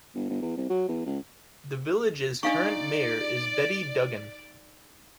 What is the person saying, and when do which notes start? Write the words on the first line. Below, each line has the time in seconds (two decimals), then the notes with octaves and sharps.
The village's current mayor is Betty Duggan.
0.15 G1
0.29 G1
0.42 E2
0.57 C2
0.70 F#3
0.89 E2
1.06 C#2
2.43 D4 D#4 D5 F5 A#5 C6 C#6